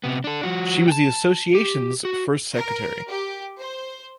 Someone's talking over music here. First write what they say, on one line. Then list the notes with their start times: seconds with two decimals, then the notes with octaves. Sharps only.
She was the Associations's first Secretary.
0.04 C3 B3
0.24 D4 A4
0.43 F3 F#4
0.88 G5 A5
1.55 G4
2.05 F#4
2.53 A#4
3.09 G4
3.59 C5